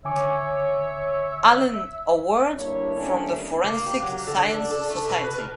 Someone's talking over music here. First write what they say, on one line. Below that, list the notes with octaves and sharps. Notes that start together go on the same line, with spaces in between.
Allen Award from the Forensic Science Society.
D3 C#5 E5 G#5 D6
G2 D3 A#3 D4 E4 C#5
D#3 G3 A3 B3 C#4 D4
A#3
G4
F#3
D3
D4
A4
A3
B2
B4
A#4